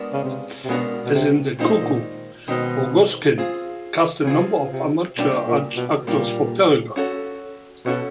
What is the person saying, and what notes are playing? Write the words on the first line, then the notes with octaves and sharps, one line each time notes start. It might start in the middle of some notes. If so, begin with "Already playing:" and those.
As in "The Cuckoo", Rogozhkin cast a number of amateur actors for "Peregon".
Already playing: G#3 B3 D4 F#4 A#4
C#3
C3
C3
B2 G#3 B3 D4 F#4 A#4
B2
C3
A#2 D#3 G#3 C4 D#4
A#2
B2 D#3 G#3 C4 D#4
C4 F4 G#4
C#3
C3 C4 F4 G#4
C3
B2 G3 A#3 D4 G4
A#2
B2
A#2 G3 A#3 D4 G4
C#4 F#4 A4
B2 C#4 F#4 A4